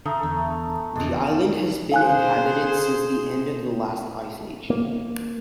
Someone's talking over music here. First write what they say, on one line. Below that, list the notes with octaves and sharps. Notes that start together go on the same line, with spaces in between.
The island has been inhabited since the end of the last ice age.
D3 A3 A#5 D#6
E2
F1 E2 G#3 D4
G#4 C5 F5 G#5 F#6
A#3